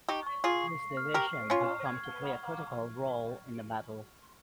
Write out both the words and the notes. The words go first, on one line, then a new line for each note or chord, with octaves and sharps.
This division would come to play a critical role in the battle.
D#4 G4 C#6
C#6
F4 G#4 C7
C#6
C#6
F6
G4 A#4 C#6
C7
C#4 F4 C#6
F6
G#6
G7